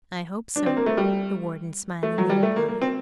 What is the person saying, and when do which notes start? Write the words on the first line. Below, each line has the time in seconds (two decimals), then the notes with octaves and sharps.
"I hope so!" the Warden smilingly replied.
0.56 D4
0.66 C4
0.77 A#3
0.86 A3
0.97 G3
2.03 A3
2.18 F#3
2.30 G3
2.43 A3
2.56 A#3
2.69 A#3
2.81 C4